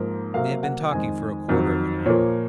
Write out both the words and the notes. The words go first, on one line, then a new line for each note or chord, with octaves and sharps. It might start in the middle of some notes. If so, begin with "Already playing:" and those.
They had been talking for a quarter of an hour.
Already playing: G#2 F3 A#3
C3 F#3 A#3 F5
F#5
F2 D#3 G#3 G#5
F2 D#3 F#3
A#2 F3 A#3 C#5